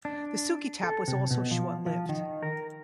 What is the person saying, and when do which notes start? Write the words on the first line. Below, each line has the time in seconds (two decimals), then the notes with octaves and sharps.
The Sugi Tap was also short lived.
0.05 D4
0.83 A4
1.08 C3
1.31 B2
1.51 F3
1.86 F3
2.09 D#3
2.43 A#4